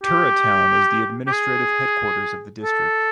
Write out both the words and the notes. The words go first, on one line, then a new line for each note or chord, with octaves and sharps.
Tura town is the administrative headquarters of the district.
G4
G4
G#4
A4